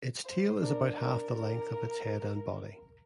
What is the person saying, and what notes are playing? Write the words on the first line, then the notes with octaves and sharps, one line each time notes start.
Its tail is about half the length of its head and body.
C5
D4 A#4
A#4
A#4